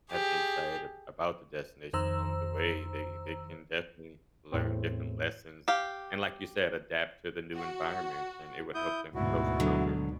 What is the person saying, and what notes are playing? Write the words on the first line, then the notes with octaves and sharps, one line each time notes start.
have insight a about the destination along the way. They they can definitely learn different lessons. And like you said, adapt to the new environments, and it would help them grow stronger.
G4 G#4
F2 D#3 C5 A#5 E6
E2 A2 C4
G4 F5
F#4
E4 D#6 G6
D2 G#2 B2 E4 F#4
D3 F#3